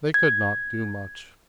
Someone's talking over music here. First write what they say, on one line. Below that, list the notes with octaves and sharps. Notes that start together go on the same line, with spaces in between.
They could not do much.
G#6